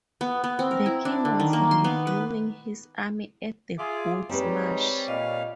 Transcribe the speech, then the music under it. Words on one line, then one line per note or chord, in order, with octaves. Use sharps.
The king was reviewing his army at the Goat's Marsh.
B3
B3
C4
A#4
E4
D4
D3
D#3
A#3
C6
B3
B4
F4 G#4 E5 D6
G3 G#3 C4 D#4 G4 B4 C#5
A#2 D#5 F5